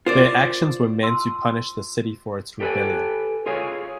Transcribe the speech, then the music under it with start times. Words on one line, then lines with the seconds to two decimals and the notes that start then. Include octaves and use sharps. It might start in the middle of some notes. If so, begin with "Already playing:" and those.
Their actions were meant to punish the city for its rebellion.
0.06 F4 A#4 C5 D5
1.02 A5 C6 E6
2.60 G4 A4 B4 C5 G5 G#5
3.46 F4 G#4 C#5 F5 G#5